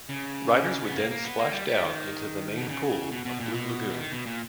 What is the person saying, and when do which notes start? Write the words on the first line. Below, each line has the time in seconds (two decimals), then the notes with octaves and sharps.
Riders would then splash down into the main pool of Blue Lagoon.
0.09 C#3
0.84 B3
0.96 A#3
1.11 A#3
1.24 B3
1.39 A#3
1.53 G3
1.68 G3
1.82 D#3
2.58 B2
2.69 C#3
3.11 B2
3.25 B2
3.40 A#2
3.54 B2
3.90 E3
3.97 D#3
4.12 B2
4.26 A#2